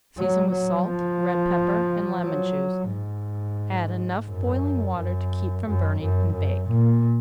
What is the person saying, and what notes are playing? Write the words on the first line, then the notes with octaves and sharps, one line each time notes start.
Season with salt, red pepper, and lemon-juice, add enough boiling water to keep from burning, and bake.
F#3
F#3
F3
F#3
G#2
F#2
F#2
F#2
F#2
F#2
A#2